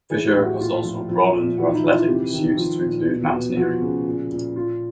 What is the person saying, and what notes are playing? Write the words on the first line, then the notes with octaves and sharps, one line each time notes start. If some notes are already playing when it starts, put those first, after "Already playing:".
Fisher has also broadened her athletic pursuits to include mountaineering.
E3 G#4
G4
A2
F#4
A#2 F4
F3
F3
A#2
E3 F#4
D#4
E4
E3
F4
C3 G4
D#3
F3
A#2
B2
B2
F3 F#4
C#3
A#2
A#2
A#2 F4